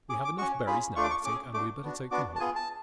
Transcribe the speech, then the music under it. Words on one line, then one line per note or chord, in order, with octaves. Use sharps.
We have enough berries now, I think, and we had better take them home.
C#4 G#4 D6
D6
C#4 F#4 C#6
C#4 F4 G#4 B5
A3 D4 F4 C#6
D6
C#6
C#4 G#4 D6
A3 D4 F#4 D6
B3 D4 F#4
B3 D4 F#4 D6
A5
B3 F4 G#4 G#5
A5